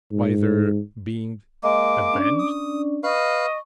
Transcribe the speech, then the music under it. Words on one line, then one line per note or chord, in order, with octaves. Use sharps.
By their being avenged?
G#2
G#3 A#3 D#5 D6
C#4 D4 D5
D#6
B4 D#5 F5 C#6